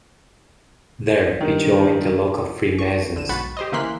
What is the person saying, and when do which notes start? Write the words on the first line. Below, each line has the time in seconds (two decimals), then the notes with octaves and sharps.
There, he joined the local Freemasons.
1.41 G2 D#3
2.79 C#6
3.16 D3 D#7 E7
3.29 B1 G#2 F#4 B5 C#6 A6
3.57 G4 C5 D#5
3.72 C#3 E3 A#3 C6 F#6 B6